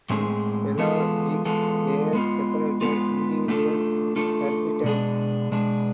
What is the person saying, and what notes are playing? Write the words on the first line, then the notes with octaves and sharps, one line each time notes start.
Thin pelagic layers separated individual turbidites.
A2 G#3 C4 G#4
E3 G#3 B3 F4 A4
E3 G#3 B3 F4 A4
G#3 B3 F4
G#3 B3 F4
A3 D4 F4 A4
A3 D4 F4 A4
B2 G#3 D4 G#4
B2 G#3 D4 G#4